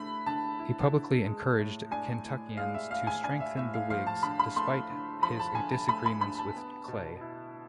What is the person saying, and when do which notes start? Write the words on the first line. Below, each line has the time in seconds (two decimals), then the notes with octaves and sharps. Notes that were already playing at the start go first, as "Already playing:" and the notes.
He publicly encouraged Kentuckians to strengthen the Whigs, despite his disagreements with Clay.
Already playing: D3 A3 E4 B5
0.26 D3 A5
0.59 E4
0.92 D3
1.26 G#3
1.59 A2
1.91 D4 G#5
2.25 A2
2.57 G#3 F5
2.74 E5
2.91 A2 F5
3.07 G#5
3.24 D4 G#5
3.40 E5
3.57 A2 E5
3.74 F5
3.90 F3 F5
4.07 A5
4.23 D3 B5
4.39 B5
4.56 A3 C6
4.90 D3
5.22 F3 B5
5.39 A5
5.55 D3 G#5
5.72 A5
5.89 A3 B5
6.06 B5
6.21 D3 B5
6.38 A5
6.55 B3
6.88 B2
7.21 E4